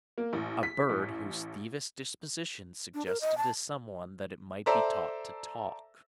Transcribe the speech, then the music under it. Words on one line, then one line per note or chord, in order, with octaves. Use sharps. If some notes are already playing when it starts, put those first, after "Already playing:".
A bird whose thievish disposition suggested to someone that it might be taught to talk.
A#3
A1
B6
A1
D4
A#4
D#5
A5
A4 C5 D5 E5 A#5 E6